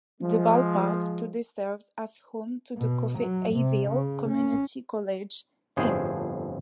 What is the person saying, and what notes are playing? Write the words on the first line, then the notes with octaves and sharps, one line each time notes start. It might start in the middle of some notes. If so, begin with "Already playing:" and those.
The ballpark today serves as home to the Coffeyville Community College teams.
F3 G#3
B2
F#3
C3
C#3
C#4
G1 F2 A2 G#4 C5